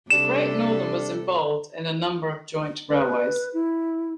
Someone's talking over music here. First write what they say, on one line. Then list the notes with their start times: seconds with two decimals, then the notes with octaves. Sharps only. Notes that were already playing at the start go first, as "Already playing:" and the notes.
The Great Northern was involved in a number of joint railways.
0.10 C3 G3 D4 A4 E7
2.89 B4
3.54 E4